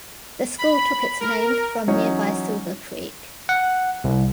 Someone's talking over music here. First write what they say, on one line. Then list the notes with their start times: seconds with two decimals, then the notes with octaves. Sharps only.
The school took its name from nearby Silver Creek.
0.58 B5
1.20 A#4
1.88 E3 F#3 C#4 D#4 C#5 D#5
3.49 F#5
4.04 C2